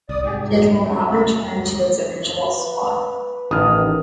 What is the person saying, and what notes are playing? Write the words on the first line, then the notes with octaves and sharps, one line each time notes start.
It will not return to its original spot.
C2 D5 D#6
G#2 G4 G#4
C3
F#2 C3 A3
B4
A1 D#3 D#6 F6